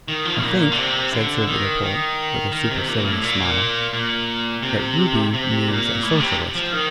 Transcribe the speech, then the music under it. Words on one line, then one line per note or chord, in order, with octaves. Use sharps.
"I think," said Sir Leopold, with a supercilious smile, "that Ruby means a Socialist."
D#3
F3
A#2
D3
C3
D3
D#3
D#3
D#3
C3
A#2
A2
A#2
A#2
C3
C3
A#2
A2
C3
F3
D#3